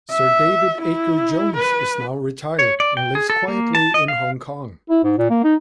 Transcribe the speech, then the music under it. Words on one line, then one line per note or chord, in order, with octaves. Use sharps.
Sir David Akers-Jones is now retired and lives quietly in Hong Kong.
E5
E4
B4
C#5
D5
G5
G#4
A4
A#3
A5
D#5
F5
E4
G#2
A#2
A#3
D#4